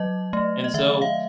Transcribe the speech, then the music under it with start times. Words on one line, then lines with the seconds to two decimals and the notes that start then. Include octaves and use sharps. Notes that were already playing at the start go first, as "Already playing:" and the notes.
And so
Already playing: F#3 D#5
0.33 A3
0.64 D#5
0.74 D#3 E5
1.02 F5